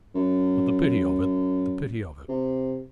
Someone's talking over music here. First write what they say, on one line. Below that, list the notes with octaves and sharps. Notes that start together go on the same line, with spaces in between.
But the pity of it--the pity of it!
F#2
C3